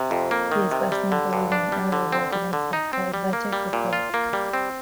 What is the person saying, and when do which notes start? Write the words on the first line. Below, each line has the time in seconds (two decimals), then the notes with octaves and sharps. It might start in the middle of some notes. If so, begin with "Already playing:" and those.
He is best known for leading an early revolt against the Helvetic Republic.
Already playing: C3
0.11 F2
0.31 A#3
0.52 D#3
0.72 C3
0.92 G3
1.12 D3
1.33 G2
1.52 D4
1.72 G3
1.92 D3
2.12 C4
2.33 G3
2.53 D3
2.73 D#4
2.93 C4
3.14 G3
3.33 A#3
3.53 G3
3.73 A#2
3.93 F4
4.14 A#3
4.33 G3
4.53 C4